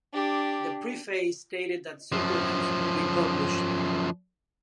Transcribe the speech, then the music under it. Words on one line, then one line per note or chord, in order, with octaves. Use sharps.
The preface stated that supplements would be published.
D4 G4
F#2 F3